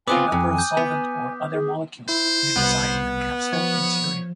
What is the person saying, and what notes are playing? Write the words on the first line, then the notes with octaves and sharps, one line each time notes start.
A number of solvent or other molecules may reside in the capsule interior.
B3 C4 F4 G#5 D6 D#6 F#6
F2
G6
B3 B6
G#4
E4 C5
C2 B3
F3 C#5